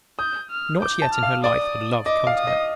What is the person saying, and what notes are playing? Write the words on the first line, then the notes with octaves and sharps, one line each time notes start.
Not yet in her life had love come to her.
D#6 G6
F6
D6 G6
A5
F6
F5
D5 D#6
D#5 D6
F5
D#6
D#5